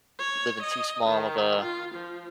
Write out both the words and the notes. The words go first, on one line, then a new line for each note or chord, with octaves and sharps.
you live in too small of a
C#5
D#5
D#3
F4
F3